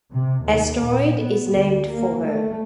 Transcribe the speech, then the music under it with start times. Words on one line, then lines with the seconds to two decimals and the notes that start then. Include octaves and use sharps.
Asteroid is named for her.
0.13 C3
0.44 D#2
0.83 A#2
1.20 B3
1.54 D2
1.88 A#3
2.22 A3